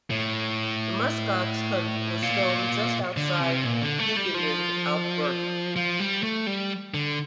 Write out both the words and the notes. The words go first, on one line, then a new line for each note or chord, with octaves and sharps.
The muskox hunt was filmed just outside Hughenden, Alberta.
A2
A#2
D3
C3
A#2
D3
A3
G3
F3
F3
G3
A3
G3
D3